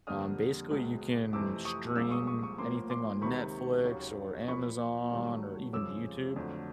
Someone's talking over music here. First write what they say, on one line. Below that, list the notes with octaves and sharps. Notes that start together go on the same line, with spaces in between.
um, basically, you can stream anything on Netflix, or Amazon, or even YouTube.
F2 D3 G3 A#3 D#6 F6
C#2 B2 G#3
F2 C3 E3 A3 D6 E6
C#6 D#6
C2 A#2 F3 G#3 D6 E6
C#6 D#6
C#6 D#6
C#6 D#6
A2 F3 A#3 C6 D6
C6 D6
C#2 C3 D#3 B5 C#6
D#2 C#3 F#3
A#2 F3 A#3 B5 C#6
G2 D#3 F#3 A3
F2 C#3 F3 G#3 D6 E6
F2 D3 F#3 A3